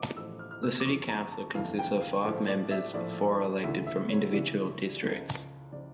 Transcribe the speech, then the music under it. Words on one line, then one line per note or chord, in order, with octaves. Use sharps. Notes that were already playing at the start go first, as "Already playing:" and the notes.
The city council consists of five members four are elected from individual districts.
Already playing: A1 F3 D6
A1 A2 F3 E6
F6
F6
E6
D6
G1 F2 E3 C#6
A#5
A5
G1 F2 E3 F5
G5
F5
A#1 A2 F3
D5
E5
A#1 A2 F3 D5
D2 C#3 E3 E5
E5
C#5
D2 C#3 E3 D5
C#2 C#3 F3
C#3 F3 D5